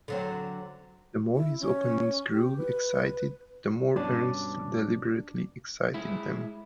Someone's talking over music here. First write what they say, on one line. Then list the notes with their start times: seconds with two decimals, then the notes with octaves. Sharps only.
The more his opponents grew excited, the more Ernest deliberately excited them.
0.08 D3 F#3 C4
1.35 E4
1.60 C#4
2.31 G4
2.57 B4
3.96 G2 B2 C#4 D4
5.94 G#3 E4